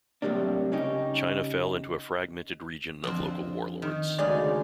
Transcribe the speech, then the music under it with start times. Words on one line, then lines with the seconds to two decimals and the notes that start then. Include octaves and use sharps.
China fell into a fragmented region of local warlords.
0.22 A2 C3 F#3 G3 A#3 D4
0.72 C#3 C#4 D#4 G4
3.04 F2 D3 C4
3.82 D#3
4.18 D2 C#3 G#3 D#4 G4 G#4 D5 F5